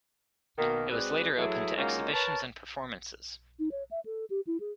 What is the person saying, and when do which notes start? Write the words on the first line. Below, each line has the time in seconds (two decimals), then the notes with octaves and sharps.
It was later opened to exhibitions and performances.
0.59 B2 D#3 A#3
0.91 G#3 C4 F#4 B4 D5
1.37 E3 F#3 A3 E4 G#4
1.77 F#3 G#3 A#3 C#4 D#4 F4
2.14 A#4 B4 C#5 A5
3.59 D#4
3.71 C#5
3.91 E5
4.05 A4
4.30 G4
4.47 E4
4.60 G#4